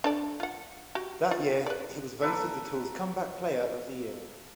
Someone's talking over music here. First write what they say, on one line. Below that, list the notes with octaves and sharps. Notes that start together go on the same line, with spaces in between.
That year he was voted the Tour's comeback player of the year.
D4 A4 D5
F4 F#5
F#4 G4
F4
B4 D5
A#3 A4 B4 E5